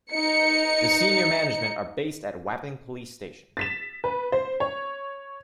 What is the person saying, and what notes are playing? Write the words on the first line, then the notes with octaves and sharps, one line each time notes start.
The senior management are based at Wapping police station.
D#4 C#7
A6 B6 E7
B4
C5
C#5